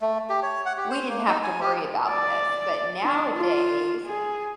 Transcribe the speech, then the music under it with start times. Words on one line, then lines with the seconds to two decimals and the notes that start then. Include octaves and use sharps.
We didn't have to worry about this, but nowadays
0.01 A3
0.30 G4
0.43 C#5
0.66 F#5
0.77 G4
0.90 C5
1.09 A#3
1.27 D#4
1.43 G#5
1.61 G4
2.09 D5
3.03 D4
3.35 F4
4.05 G#4